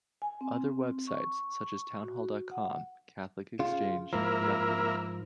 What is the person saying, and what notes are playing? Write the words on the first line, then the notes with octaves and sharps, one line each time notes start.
Other web sites such as Townhall dot com, Catholic Exchange, Yahoo!
G#5
C4
C#6
F#4
F#5
C#3 F4
G#2 F3 A#3 E4 A#4